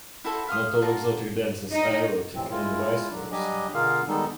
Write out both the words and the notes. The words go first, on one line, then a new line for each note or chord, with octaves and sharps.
Not all exotic dances are erotic, and vice versa.
E4 F#4 A4 C5
E5 F5 C6 D#6
F4 F#4 A5 A#5
D#4
F2 A2 C3 E3 C4
G#3 E4 F4
F#3 D4
F#3 G3 D4 G4 D#5 G#5
B2 D3 F4 G#4 A#4 F5
D#3 G3 G#3 B3 D#4 A4